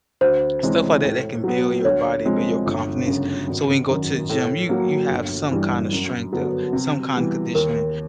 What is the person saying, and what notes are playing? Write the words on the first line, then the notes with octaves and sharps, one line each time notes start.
stuff like that that can build your body, build your confidence. So when you go to the gym, you you have some kinda strength or some kinda conditioning.
D2 C5
C3 E3 G#3 C#4
A2
F#3 B3
D2 C#5
C3 F3 G#3 C4
G1
F#2 C#3
G#1
F#2 D#3
A2
F#3 A#3
G1
G2 E3 G3
F#2
D3 F#3 B3
C3
E3 G3 B3
D#2 A#4